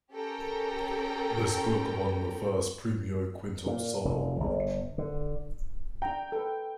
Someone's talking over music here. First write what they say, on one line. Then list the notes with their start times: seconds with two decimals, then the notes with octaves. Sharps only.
This book won the first Premio Quinto Sol award.
0.13 C#4 G4 A4 A#4 G5 A#5
3.66 A#2
4.05 F1
4.40 G1
4.98 D3
6.02 D4 G5 A#5
6.32 A4 B4